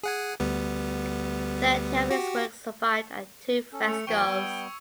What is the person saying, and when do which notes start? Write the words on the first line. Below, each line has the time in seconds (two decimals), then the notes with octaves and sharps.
Thirteen of his works survived and two frescos.
0.03 G#4 F#5 G#5
0.40 D2 G3 B3
2.10 F#4 G4
3.73 C#4 A4
3.88 A3 C#7 F7
4.07 D#2 F3 A#3 G5 C#6 G#6
4.27 G3 B3 E6